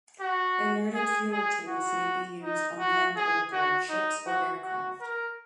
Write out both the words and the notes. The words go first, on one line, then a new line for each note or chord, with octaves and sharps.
"Inerted" fuel tanks may be used on land, or aboard ships or aircraft.
F#4
G#4
G#4
F#4
D#4
F#4
G#4
F#4
D#4
F#4
F#4
A#4